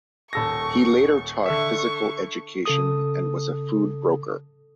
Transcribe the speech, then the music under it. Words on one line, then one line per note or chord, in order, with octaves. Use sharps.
He later taught physical education and was a food broker.
D#1 A4 C#6 A#6
D3 E5 C#6
C#3 A4 D#6